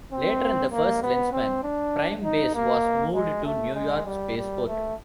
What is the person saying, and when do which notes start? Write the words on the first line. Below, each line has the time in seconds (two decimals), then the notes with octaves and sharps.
Later in "First Lensman" Prime Base was moved to New York Space Port.
0.12 C4
0.72 A#3
1.03 B3
1.32 C4
1.63 D4
2.24 D#4
2.54 A#3
3.14 G#3
3.45 A3
3.75 G#3
4.05 G3
4.37 G3
4.67 A3